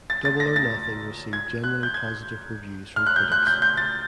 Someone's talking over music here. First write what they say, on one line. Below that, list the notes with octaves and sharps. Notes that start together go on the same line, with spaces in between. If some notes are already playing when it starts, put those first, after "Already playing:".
Double or Nothing received generally positive reviews from critics.
A6
A6
A#6
A6
G#6
F#6
G6
G#6
F6
F#6
G6
F#6
G6
G6
A6